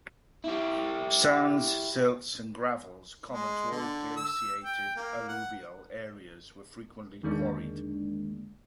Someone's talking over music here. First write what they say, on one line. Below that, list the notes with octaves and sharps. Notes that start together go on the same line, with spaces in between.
Sands, silts and gravels, common to all glaciated alluvial areas were frequently quarried.
E4 G4
G#3
D3
E6
G5
A#3
F#5
E2 D3 D#3 G#3 A#3 D4